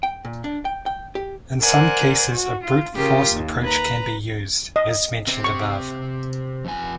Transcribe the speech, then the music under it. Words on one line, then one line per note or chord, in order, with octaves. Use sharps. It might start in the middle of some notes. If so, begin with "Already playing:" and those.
In some cases a brute force approach can be used, as mentioned above.
G5
A#2
D4
G5
G5
G4
A#4 C5 D5 F#5 G#5
F#4
F4
C#3 F4 G4 A#4
D#2
B4 A#5
D#5
C3 C4
C#6
F2 G#5